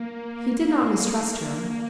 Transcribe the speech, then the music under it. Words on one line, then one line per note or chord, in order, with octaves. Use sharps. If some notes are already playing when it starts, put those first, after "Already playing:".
He did not mistrust her.
Already playing: A#3